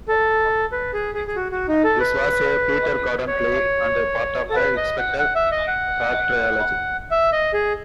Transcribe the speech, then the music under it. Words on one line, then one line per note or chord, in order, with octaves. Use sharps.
This was a Peter Gordon play, and part of the 'Inspector Pratt' trilogy.
A4
B4
G#4
G#4
G#4
F#4
F#4
D#4
A4
B4
C#5
A4
B4
D#5
F#5
F#5
E5
D#5
F#5
E5
D#5
G#4